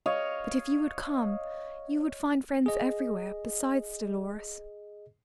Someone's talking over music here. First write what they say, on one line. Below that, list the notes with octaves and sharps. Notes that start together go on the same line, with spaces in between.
But if you would come, you would find friends everywhere, besides Dolores.
C#5 D#5 F5
G#4 D#5